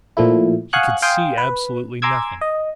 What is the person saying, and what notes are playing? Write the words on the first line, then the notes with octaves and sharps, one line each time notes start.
He could see absolutely nothing.
A#2 F3 A3 E4
F5 F#5 G#5 C#6 D#6 F#6
F5 G5 G#5 C6 D#6
B4
G#5 A#5 C6 D6 E6 G#6
D#5